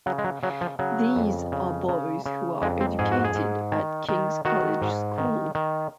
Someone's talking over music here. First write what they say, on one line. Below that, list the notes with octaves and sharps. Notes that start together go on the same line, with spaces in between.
These are boys who are educated at King's College School.
C#3 F#3
G#3
F#3
C#3 F#3
F3
C#3 F#3
F2
C#3
C#3
C#3
F2 G#3
C4
G#2 G#4
F#4
G#4
G#2
D#3
D#3
D#3 F#4
G#2
D#3
D#3